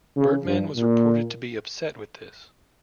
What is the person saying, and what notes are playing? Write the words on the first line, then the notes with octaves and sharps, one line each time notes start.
Birdman was reported to be upset with this.
C#3
G2
A#2